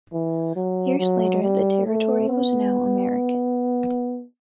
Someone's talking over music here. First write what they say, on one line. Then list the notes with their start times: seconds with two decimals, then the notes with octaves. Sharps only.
Years later, the territory was now American.
0.13 E3
0.56 F#3
0.99 F#3
1.43 G3
1.87 A3
2.29 B3